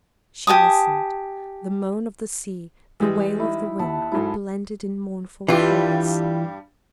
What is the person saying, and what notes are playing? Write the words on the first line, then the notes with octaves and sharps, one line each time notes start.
She listened; the moan of the sea, the wail of the wind, were blended in mournful chorus.
G4 G#5 A5 D#6
E3 G3 G#3
D#4 E4
D#2 E5 F#5 A5
G#2 F#3 E4 A4
G2 E3 G3 F4 G4